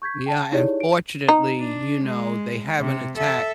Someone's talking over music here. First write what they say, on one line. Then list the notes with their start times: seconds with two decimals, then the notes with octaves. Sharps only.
Yeah, and fortunately, you know, they haven't attacked
0.02 C#6 G6 G#6 B6
0.26 G5 A5
0.52 D#4 E4 G4 G#4 C#5 D5
0.80 D7
1.29 D#4
1.59 D4
2.04 G#3
2.79 C3
3.18 A4 E5